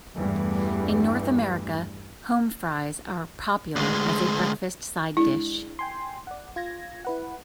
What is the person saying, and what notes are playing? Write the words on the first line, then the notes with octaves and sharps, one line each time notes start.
In North America, home fries are popular as a breakfast side dish.
E2 G2 E3 A3
D2 G#3
G#3 D4 E4
G5 G#5 C6
D5 F#5
F4 G#6 A#6
E4 B4 F#5